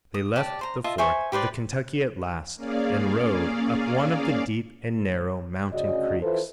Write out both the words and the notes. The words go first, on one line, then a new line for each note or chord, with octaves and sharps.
They left the fork of the Kentucky at last and rowed up one of the deep and narrow mountain creeks.
D#6
G4 D5 A5
C5 A#5
F4 D#5 E5 A5
C5 E5 G#5 C#6
G4 B4 C5 D5
A#3 C#4 G#4 D5 F5
D2 C#3 C#4 F#4 D5 D#5
E3 E4 F4 A4 B4 C5